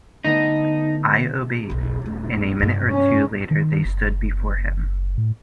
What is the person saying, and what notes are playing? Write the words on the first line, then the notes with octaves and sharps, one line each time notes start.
I obeyed, and a minute or two later they stood before him.
D3 A3 B3 D#4
F#1 B1
D#1 A3
G2 C3
C#4
D#3
F#1
A2